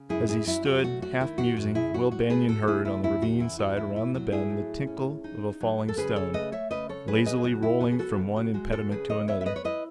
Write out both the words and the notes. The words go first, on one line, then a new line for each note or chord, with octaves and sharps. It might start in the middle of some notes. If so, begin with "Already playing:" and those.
As he stood, half musing, Will Banion heard, on the ravine side around the bend, the tinkle of a falling stone, lazily rolling from one impediment to another.
Already playing: C#3
F#2 E4 G#4
E4 G#4
F#3 E4
F#4
A3 F#4
F#4
D#3 E4
F#4
F#2 F#4
E4 G#4
F#3 F#4
F#4
A3 G#4 B4
F#4 A4
F#4
C#3 E4 G#4
E4
E2 E4
F#4
E3 E4
F#4
A2 E4
E4
F#3 F#4
E4 G#4
A2
C#4
D#4
F#3
A4
C#3 G#4 B4
A4 C#5
A3 B4 D#5
C#5 E5
C#3 B4 D#5
A4 C#5
F#3 G#4 B4
B4 D#5
G#4
C#3 F#4
E4
B3 F#4
G#4
F#4 A4
C#3
F#4
G#3 F#4
F#4 A4
C#3 G#4 B4
B4 D#5
B3 C#5 E5
E5
B4 D#5
C#5
E4 B4 D#5